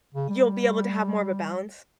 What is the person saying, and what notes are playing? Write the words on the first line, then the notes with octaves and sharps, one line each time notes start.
you'll be able to have more of a balance.
C#3
G3